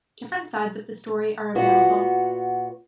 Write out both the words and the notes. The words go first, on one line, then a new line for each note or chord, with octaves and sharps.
Different sides of the story are available.
A#2 B3 F#4